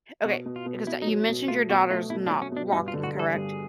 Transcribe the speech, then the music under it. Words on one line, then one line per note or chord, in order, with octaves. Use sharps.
Okay. Because d you mentioned your daughter's not walking, correct?
B2 F#4
B2
F4
B2
B2 E4
D#4
F#3
E4
B2
A3 F4
B2 F#4
A3 F4
B2 E4
D4
F#3
C#4
B2 D4
G2 D#4
F4
D3
F#4
G3 A4
G2 G#4